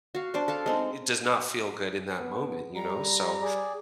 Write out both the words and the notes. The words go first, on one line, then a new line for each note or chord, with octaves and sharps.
re it does not feel good in that moment, you know, so,
F#4 F5
D4 C5 D5
A4 F5 A5
G#3 C4 D#4
B3
G3 A#5
G#4 D5